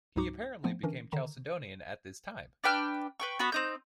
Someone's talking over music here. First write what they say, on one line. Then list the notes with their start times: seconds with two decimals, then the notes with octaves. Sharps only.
He apparently became Chalcedonian at this time.
0.16 C#2 G#2 F#3 D#4 F#4 D6
0.64 F3 A3 B3 C4
0.83 D3 E3 C#4 D4 A#4
1.12 D3 D#3 A#5 E7
2.64 D4 B4 G5 F6
3.20 B4 G5 C#6
3.39 B3 F#4 B5 C#6
3.52 C4 D#4 G6